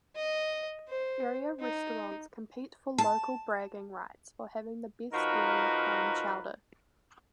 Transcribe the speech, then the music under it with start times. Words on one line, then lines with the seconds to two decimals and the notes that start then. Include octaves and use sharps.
Area restaurants compete for local bragging rights for having the best area clam chowder.
0.16 D#5
0.89 C5
1.60 D#4
2.98 A5
5.13 F3 D#4 F4 F#4 A#4 B4